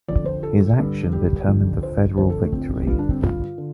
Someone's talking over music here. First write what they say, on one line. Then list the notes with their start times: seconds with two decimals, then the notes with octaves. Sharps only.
His action determined the federal victory.
0.08 F2 D3 D5
0.26 C5
0.43 A4
0.78 G2 D3
1.13 G4
1.48 F2 D3
1.83 C5
2.17 F2 D3 C5
2.30 A4
2.41 A3
2.53 C4
2.82 G4
2.87 G2 D3 F4
2.99 D4
3.10 C4
3.23 F4
3.58 D3